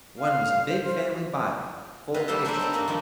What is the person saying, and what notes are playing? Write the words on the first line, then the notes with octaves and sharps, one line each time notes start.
One was a big family Bible full of pictures.
F5
C5
C3 B4 F5
G3 A#3 C4 D#4 A4 C5
F#3 D4 G4 A4 C5 D5
B3 C4 D#4
G2 A#3 F#4
D#3 F3 G3 B3